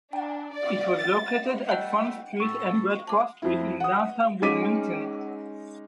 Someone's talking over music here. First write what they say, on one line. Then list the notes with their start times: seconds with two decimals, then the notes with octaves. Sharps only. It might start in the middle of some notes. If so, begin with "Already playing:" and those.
It was located at Front Street and Red Cross Street in downtown Wilmington.
0.12 D4
0.53 D5
0.97 A6
1.69 G3 A3 D#5 F#5 G5 A5
2.40 A2 A4 C#6
3.07 F3 A3 G#4 A5 D6
3.42 F2 E4
3.80 F#5 D#6
4.42 G#3 C#4 D#4 D6 B6 D#7